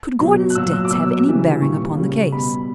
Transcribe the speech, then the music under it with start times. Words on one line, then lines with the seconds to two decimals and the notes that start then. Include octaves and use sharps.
Could Gordon's debts have any bearing upon the case?
0.19 B2 F#3
0.50 F#6
0.55 A#2 F#3 E6
0.74 E6
0.85 D6
0.90 B2 F#3 E6
1.27 C#3 E3 G3
1.61 A#2 G3 C#6
1.97 C#3 G3
2.32 B2 G3 B5